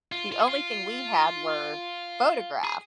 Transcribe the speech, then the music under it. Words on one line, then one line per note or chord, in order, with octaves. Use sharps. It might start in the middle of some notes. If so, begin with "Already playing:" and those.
the only thing we had were photographs,
F4
F4
G#4
F4
G#4